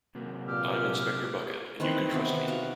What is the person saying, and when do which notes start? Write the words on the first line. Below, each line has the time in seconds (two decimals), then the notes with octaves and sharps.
I'm Inspector Bucket, and you can trust me.
0.15 C3 F#3 A#3
0.48 G2 A#2 G4 E6 F6
1.80 D#3 E3 C4 B4
2.11 C3 B3 G5
2.30 D#3
2.48 F#4 F5